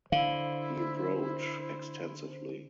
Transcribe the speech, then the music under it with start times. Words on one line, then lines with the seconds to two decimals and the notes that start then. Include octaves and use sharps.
He wrote extensively.
0.12 D3 E4 C5 F5